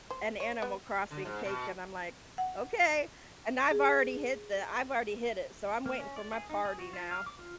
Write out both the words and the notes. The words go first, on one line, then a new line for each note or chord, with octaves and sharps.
an animal crossing cake," and I'm like, "Okay," and I've already hit the I've already hit it, so I'm waiting for my party now.
C5
C#5
B3
D3
G#2
B2
F#5
G#4
A#3
C#4
D5
G#4
D#4
G#4
F#4
F4
F5
D6
F4